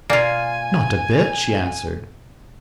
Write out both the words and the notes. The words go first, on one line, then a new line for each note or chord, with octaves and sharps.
"Not a bit," she answered.
B2 A#3 F4 D5 G#5